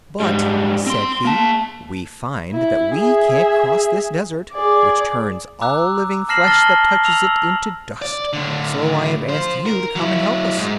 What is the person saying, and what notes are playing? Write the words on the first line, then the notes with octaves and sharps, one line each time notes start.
"But," said he, "we find that we can't cross this desert, which turns all living flesh that touches it into dust; so I have asked you to come and help us."
G#2 G3
C4 C6
A#3 A5
E4
G#4 E5
G#4 D5
A#5 D6 E6 F#6
A5 F6 A#6 C7 E7 F#7
A5 F6 A6 A#6 F#7 G7
E6 F7 F#7
D5
A2 D3
F3 C5
A#4
F#3 E4
G#2